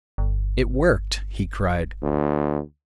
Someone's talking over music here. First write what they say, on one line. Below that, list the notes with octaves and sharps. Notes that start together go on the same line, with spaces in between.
"It worked!" he cried.
G1
D2